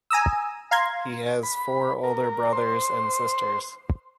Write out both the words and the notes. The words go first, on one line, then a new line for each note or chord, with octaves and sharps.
He has four older brothers and sisters.
G#5 A#5 D#6 E6
F5 A#5 C6 G#6
B5
A#4
C5